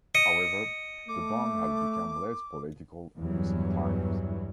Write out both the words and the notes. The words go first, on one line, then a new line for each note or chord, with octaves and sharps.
However, the band has become less political in recent times.
D#5 C#7
A3 D6
E2 G2 E3 F#3 G3